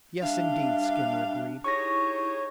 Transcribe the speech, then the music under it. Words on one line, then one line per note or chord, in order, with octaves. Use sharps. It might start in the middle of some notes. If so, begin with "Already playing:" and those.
"Yes, indeed," Skinner agreed.
G3 D4 E5 F5
D#4 E4 G4 G#4 C#5 C#6 A#6